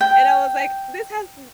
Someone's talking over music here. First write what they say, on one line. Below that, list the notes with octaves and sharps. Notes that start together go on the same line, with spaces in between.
and I was like, "This has b
G5